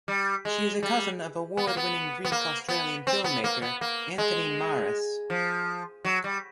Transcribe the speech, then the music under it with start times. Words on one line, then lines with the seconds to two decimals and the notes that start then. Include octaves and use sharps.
She is a cousin of award-winning Greek Australian filmmaker Anthony Maras.
0.08 G3
0.45 G#3
0.83 G3
1.57 B3
1.67 A#3
1.77 B3
2.25 B3
2.32 A#3
2.69 B3
3.07 C4
3.24 B3
3.44 A#3
3.62 B3
3.81 A#3
4.18 G#3
5.30 F3
6.05 F#3
6.24 G3